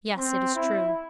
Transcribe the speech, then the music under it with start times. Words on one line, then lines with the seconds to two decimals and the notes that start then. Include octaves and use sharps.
Yes, it is true.
0.17 C4
0.55 E4